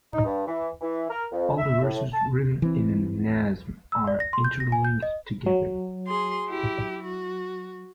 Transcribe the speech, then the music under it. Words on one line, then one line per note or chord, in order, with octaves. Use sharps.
All the verses written in a Nazm are interlinked together.
D#4
G2
E3
E3
A#4
F2
E5
A2
A5
E3 C4
E6
D5
A#6
C6
G6
A#6
G#5
G6
D#5
F#3
G#4 C6
E4 G4
F#4